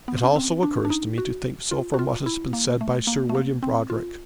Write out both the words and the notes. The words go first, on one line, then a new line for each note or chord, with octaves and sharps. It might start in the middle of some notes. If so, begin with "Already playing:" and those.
It also occurs to me to think so from what has been said by Sir William Brodrick.
B3
C#4
C4
D4
D4
D#4
F#4
F4
F#4
F4
E4
A#3
A3
A#3
A3
A#3
C4
F4